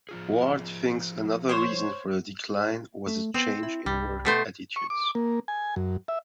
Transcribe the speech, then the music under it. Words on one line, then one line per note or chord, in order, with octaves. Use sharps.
Ward thinks another reason for the decline was a change in work attitudes.
F3 F4 G#4
C5 C#5
A3
B3 C4
E4
C2 G3
B2 A3 C5
C#6
D6
A#3
G#5
F#2
E5